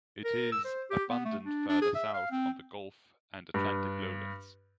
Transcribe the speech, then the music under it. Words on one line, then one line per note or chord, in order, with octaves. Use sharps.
It is abundant further south on the Gulf and Atlantic lowlands.
A#4
E6
C5
G4
B3
A3
D4
D4
G#4
E5
F5
C4
G2